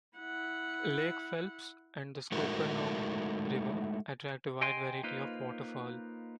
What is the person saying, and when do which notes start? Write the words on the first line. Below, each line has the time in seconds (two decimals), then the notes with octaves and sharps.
Lake Phelps and the Scuppernong River attract a wide variety of waterfowl.
0.18 E4 F#5
2.32 G#3 A3 D#4 E4 F#4 A#4
4.61 G4 D#5 G5 G#5 C6
5.03 A#3 D#4 F4 B4 C5